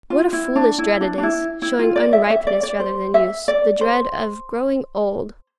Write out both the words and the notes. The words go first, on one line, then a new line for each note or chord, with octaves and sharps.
What a foolish dread it is,--showing unripeness rather than youth,--the dread of growing old!
F4
E4
D4
E4
D4
D4
E4
E4
F4
D5
E5
E5
D5
D5
C5
E5
D5
C5